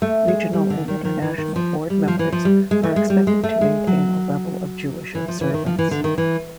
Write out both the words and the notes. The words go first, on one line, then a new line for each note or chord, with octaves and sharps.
Regional and international board members are expected to maintain a level of Jewish observance.
A3
G#3
G3
D3
D#3
D#3
E3
D#3
F3
G3
F3
E3
F3
G3
G#3
A3
G#3
G3
G#3
A3
G#3
F#3
E3
F3
E3
D#3
F3
E3
D3
D#3
E3